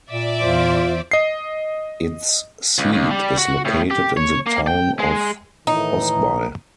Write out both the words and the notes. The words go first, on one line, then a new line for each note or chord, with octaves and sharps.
Its seat is located in the town of Osby.
A#2 D5 E5 D6
E2 F4 C5
D#5 C7
C#2
D#2
G3
F#4
A2
G4
C#5
A#3
G5
G#3
A2 D#3 E3 D#4